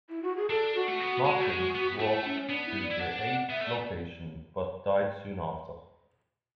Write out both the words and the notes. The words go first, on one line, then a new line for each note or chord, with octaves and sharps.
Martins walked to the aid location but died soon after.
E4
F#4
G#4
D4 A4
F#4
A3
B3
G#3
A3
G#3
B3
F#4
A3 E4
C#4
B3 D4
E4
D5
E4
D4 F#5
F#5
B3 E5
A3 D5